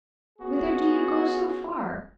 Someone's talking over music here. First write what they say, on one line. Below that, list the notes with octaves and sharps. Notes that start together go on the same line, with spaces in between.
Whither do you go so far?
B3 C#4 F4 F#4 G#4